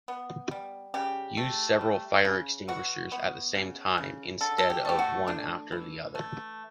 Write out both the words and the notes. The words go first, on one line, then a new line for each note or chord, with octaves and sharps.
Use several fire extinguishers at the same time instead of one after the other!
B3
G3
C#3 G4
A3
G3
C#3
E3 F#4
B3
C#3
C#3
D3 A4
A4
G4
A3 G4
F#4
A3 D4
E3
A3